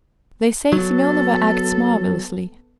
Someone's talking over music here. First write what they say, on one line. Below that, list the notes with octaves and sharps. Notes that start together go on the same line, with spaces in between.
They say Semenova acts marvelously.
F#3 B3 A4